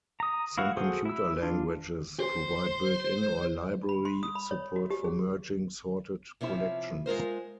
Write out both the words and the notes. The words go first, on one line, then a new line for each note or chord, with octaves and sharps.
Some computer languages provide built-in or library support for merging sorted collections.
A#5 D#6
E4 F#4 F5 F#5
F#4 G#4 A4 C5 F#5
E4 E6
D4 F4
C5
B5
C6
D#6
B5
C#5
F#4
G4
G#4
C3 F3 C#4 E4
G#3 F4 A#4 C5